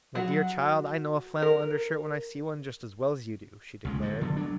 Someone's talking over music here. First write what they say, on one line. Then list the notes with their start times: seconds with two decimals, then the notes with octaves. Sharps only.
"My dear child, I know a flannel undershirt when I see one, just as well as you do," she declared.
0.15 F#3 F#4
1.42 A#4
3.85 C#2 C#3 G#3
4.02 G2 D3
4.21 D3 F#3 B3
4.37 F#3 D4